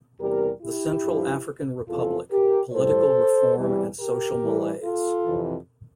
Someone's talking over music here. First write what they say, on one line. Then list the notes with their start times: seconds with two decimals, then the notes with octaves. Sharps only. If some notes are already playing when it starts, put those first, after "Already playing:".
The Central African Republic: Political Reform and Social Malaise.
0.20 E2 C3 G3 G4 A#4
0.62 E4 G4
1.05 G2 F3
1.89 E2 C3 F3 F4 A4
2.31 G4 A#4
2.73 A2 G3 A4 C5
3.57 E2 C3 E3 G3
4.00 G4 A#4
4.42 A2 E3 G3
4.84 F4 A4
5.26 F2 C3 E3